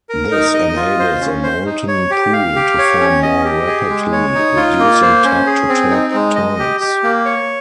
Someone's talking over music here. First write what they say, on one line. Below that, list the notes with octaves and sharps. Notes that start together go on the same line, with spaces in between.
This enables a molten pool to form more rapidly, reducing tap-to-tap times.
A#4
D#4
D#5
F4
C5
C#4
C5
D#4
C#5
G4
F5
G4
C#5
C#4
D#5
G4
G#4
G#3
C#5
D#4
F4
A#3
C5
C#4
G#4
C4
D#4
G#3
D#5
G4
G4
A#3
C#5